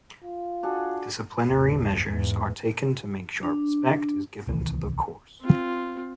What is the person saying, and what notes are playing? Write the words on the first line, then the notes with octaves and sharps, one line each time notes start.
Disciplinary measure are taken to make sure respect is given to the course.
F4
D4 F#4 G#4 A4
A1 E2
E2 G#2
D4
D1 C2 D#3 E3
C4 F4